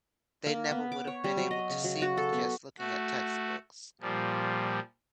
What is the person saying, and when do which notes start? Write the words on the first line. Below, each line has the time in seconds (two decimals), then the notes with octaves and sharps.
they never would have been able to see with just looking at textbooks.
0.46 A#3
0.71 B3
0.92 D6
1.07 C#5
1.24 G3
1.37 F#3
1.51 D#5
1.70 C#3
1.84 F#3
2.02 F#4
2.18 A4
2.33 B3
2.79 A3 F#4
4.01 A#2 F3 G3